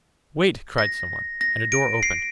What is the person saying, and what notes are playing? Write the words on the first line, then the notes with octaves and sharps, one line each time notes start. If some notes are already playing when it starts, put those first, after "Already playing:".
"Wait," cried someone, and a door opened.
A#6
A#6
D7
C7